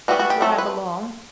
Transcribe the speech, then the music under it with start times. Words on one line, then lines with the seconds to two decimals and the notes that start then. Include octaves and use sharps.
That's where I belong!
0.08 E3 G3 B3 F#4
0.19 F#4
0.30 G4
0.41 F#3 A3 C4 A4
0.58 B4